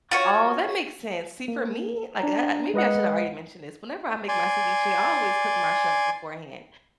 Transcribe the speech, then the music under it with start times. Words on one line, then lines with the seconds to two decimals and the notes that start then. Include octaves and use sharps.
Oh, that makes sense. See, for me, like, that maybe I should've already mentioned this. Whenever I make my ceviche, I always cook my shrimp beforehand
0.11 F4 F#4 C#5
1.48 A#3
2.19 D4 A#5
2.74 G#3 B4 D#5 F#5
4.28 D5 G#5 C6